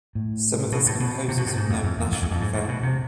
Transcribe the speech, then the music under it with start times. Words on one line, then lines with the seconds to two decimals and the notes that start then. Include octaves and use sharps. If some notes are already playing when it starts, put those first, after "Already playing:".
Some of its composers have known national fame.
0.15 A2
0.72 B2
0.86 A2
1.00 B2
1.28 C3
1.37 B2
1.47 A2
1.56 G#2
1.70 F2
1.83 F2
1.98 E2
2.12 F2
2.22 E2
2.30 F2
2.41 G#2
2.54 A2
2.68 B2
2.83 C3